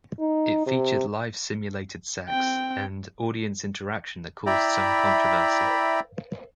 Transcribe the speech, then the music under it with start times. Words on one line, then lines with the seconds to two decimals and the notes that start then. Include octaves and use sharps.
It featured live simulated sex and audience interaction that caused some controversy.
0.20 D#4
0.66 C3
2.29 C4 G5
4.46 E4 D5 E5 G5 A#5 B5